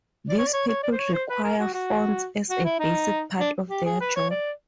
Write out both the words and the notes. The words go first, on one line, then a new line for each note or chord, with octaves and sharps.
These people require fonts as a basic part of their job.
D5
C#5
D5
C#5
C#5
D5
C5
C#5
C5
B4
A#4
F#4
F#4
F#4
E4
D#4
D4
G4
G#4
B4
C#5
D5